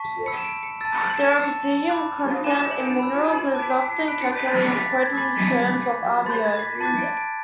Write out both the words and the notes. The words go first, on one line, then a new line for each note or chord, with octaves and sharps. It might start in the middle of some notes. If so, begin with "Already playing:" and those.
The rubidium content in minerals is often calculated and quoted in terms of RbO.
Already playing: A5 C#6 B6
B5 E6 C#7
E7
D7
C#7
A5 E6 A6
A6
F#7
E7
A5 E6
B5 D6 F#6
G#5 D6 F#6 E7
E7
F#7
D7
B5 E6
A5 D6 F#6
B5 F#6 D7
C#7
B6
A6
B5 D6 F#6 C#7
B6
A6
G#6
G#5 B5 D6 A6
B6
C#7
B5 D6 F#6
B5 F#6 A6
G#6
B6
A5 D6 F#6 A6
D7
D7